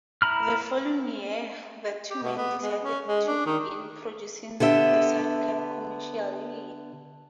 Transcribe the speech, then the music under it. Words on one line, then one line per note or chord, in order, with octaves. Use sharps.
The following year, the two men decided to begin producing the sidecar commercially.
E4 A#5 B5 F6
G4
B2
B3
G#3
C#4
G#3
D4
D#3
D3 B3 G4 E5